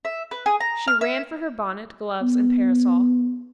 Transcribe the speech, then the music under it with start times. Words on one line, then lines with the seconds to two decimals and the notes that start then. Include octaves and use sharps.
She ran for her bonnet, gloves and parasol.
0.05 E5
0.31 B4
0.46 G#4
0.60 A#5
0.87 F6
1.01 E5
2.22 B3